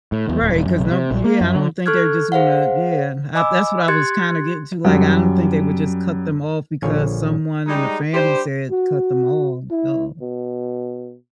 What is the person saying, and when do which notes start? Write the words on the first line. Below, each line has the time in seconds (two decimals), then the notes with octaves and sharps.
Right, 'cause no Yeah, I don't think they're just wanna yeah, uh, that's what I was kinda getting to, like, I don't think they would just cut them off because someone in the family said "Cut them off," so
0.12 A2
0.29 E2
0.41 D1
0.54 D#1
0.65 F#2
0.79 B1
0.91 C3
1.11 A#1
1.24 A#3
1.41 F#2
1.55 D3
1.86 A4 C#6 F6 F#6 G#6
2.32 G#4 C5 F5 F#5
3.35 D#5 G#5 B5 D6 E6
3.88 G4 C6 F#6 G#6 A6 C#7
4.85 F#2 G3
6.82 A#1 D3 F3 C#5 F5 G#5
7.67 G3 G#3 D#4
8.14 G3 D4 G4 C5
8.71 F#4
9.71 E4
10.22 B2